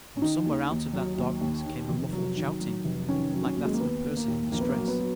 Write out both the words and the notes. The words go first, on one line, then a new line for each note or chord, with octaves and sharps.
From somewhere out of that darkness came a muffled shouting, like that of a person in distress.
C#4
D#3 D#4
D#2
D#2
F#3
D#2
D#2
D#3
F1
F#3
D#3
F#3
F1
D#3 C#4
F#3
C#4
D#2
G#3
A#3
D#2 B3
D#2
A#3
D#2
A#1 A#3
B3
A#3
F#3
B3
F#3